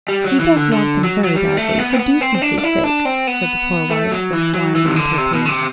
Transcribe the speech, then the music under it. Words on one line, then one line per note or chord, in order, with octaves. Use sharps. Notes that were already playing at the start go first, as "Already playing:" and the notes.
"He does want them very badly--for decency's sake," said the poor wife, thus winding up her plea.
G3
F#3
E3
D3
D3
F#3
F#3
G3
A3
B3
C4
B3
C4
C4
D4
D4
E4
D4
C4
B3
A3
F#3
E3
F#3
E3
C3
D3
C3
B2
D3
C3